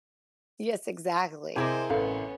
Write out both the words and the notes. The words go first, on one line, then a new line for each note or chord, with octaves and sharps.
Yes, exactly.
C3 E4 G#4 A#4 C5 D#5 G#5 D6
A1 B3 C#4 A4 F5